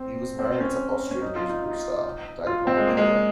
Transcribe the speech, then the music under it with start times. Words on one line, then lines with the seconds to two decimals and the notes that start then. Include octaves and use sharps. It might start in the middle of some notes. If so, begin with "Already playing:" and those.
He was married to Austrian musical star, Dagmar Koller.
Already playing: C4
0.39 C4
0.61 C#4
1.11 C#4
1.22 D#4
1.36 F4
1.50 D#4
1.64 D#4
2.47 F4
2.67 C4
2.77 G#3
2.87 A#3
2.97 G#3